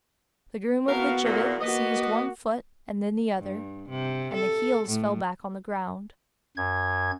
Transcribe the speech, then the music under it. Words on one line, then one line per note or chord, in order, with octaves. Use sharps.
The groom of the gibbet seized one foot and then the other, and the heels fell back on the ground.
A2 B3 F#4 A#4 F5
E2 A#2
A#3 B3 F#4 D#5
G2
C3
A4
A2
F#2 G#6